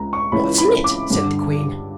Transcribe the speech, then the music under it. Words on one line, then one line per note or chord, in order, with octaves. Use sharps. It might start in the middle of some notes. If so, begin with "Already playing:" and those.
'What's in it?' said the Queen.
Already playing: C#2 A#5
C#6
C#2 C#3 E3 B5
B5
D6
G2 D3